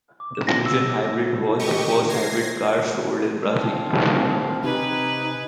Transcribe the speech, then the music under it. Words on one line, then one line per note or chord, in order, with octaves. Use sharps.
The Fusion Hybrid was the first full hybrid car sold in Brazil.
D6
E7
A#6
E6
G4 D#5 C#6
G#6 A#6 C7
F3 C4 F5
C3 D#4 G4 B4 G#5